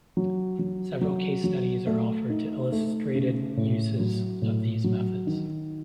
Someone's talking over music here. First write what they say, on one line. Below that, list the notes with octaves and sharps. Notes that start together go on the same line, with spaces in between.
Several case studies are offered to illustrated uses of these methods.
F#3
F#3
F#3
F#3
A3
D#4
A3
C#3
A2
F#3
A2
F#3
D#3